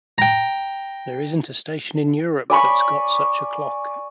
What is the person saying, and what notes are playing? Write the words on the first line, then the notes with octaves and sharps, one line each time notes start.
There isn't a station in Europe that's got such a clock.
G5 A#5
D5 G#5 B5 C#6